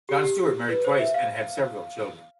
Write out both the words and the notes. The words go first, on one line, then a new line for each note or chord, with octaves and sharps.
John Stewart married twice and had several children.
G4
G4
B4
C5
E5
F5